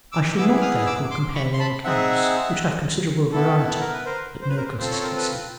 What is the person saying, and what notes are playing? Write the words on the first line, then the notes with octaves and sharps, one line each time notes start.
I shall not, therefore, compare their accounts, which have considerable variety, but no inconsistency.
D6 E6
B3 E4 G#4 D6 E6
D#6 F6
D6 E6
C6 D6
B5 C#6
C6
A5 B5
C4 D#4 G#4 E5 F#5
B3 E4 A4
A4
A#4
B4
A#4 C5
C5
B4
A#4 C5
C4 F4 A4 C5
C#5
A#4 C5
A4 B4